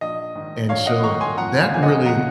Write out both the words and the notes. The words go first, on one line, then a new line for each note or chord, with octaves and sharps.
and so, that really
A#1 D#5
G#2 D#3
A#1 C#5 F5
D#5 F#5
G#2 D#3 A#5 C#6
G#5 C6
F2 F#5 A#5
F5 G#5
C#3 F3 A#3 C#4 G#5
D#5 F#5
F2 F#5 A#5